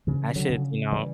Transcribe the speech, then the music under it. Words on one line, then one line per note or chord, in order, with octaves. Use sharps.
I should," you know,
C#3 E3
D3 F#3
C#3
E3 G3